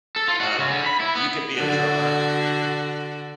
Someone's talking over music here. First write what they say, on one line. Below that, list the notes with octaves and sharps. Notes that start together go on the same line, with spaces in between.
Um, you could be a drummer,
A4
F4
F#4
C#3
D3
B5
E4
B3
D3 F#4